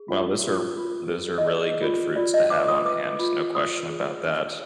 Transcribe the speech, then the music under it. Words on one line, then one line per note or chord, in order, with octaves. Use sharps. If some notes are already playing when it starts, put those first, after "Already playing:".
Well, those are those are really good fruits to have on hands, no question about that.
Already playing: G#4
F4
F4
F4
B4
D#5
B4 D5
F4
F4 D5
D#5
B4 D6
D#6
B4 D6
F4
B4 D#6
G#4
D4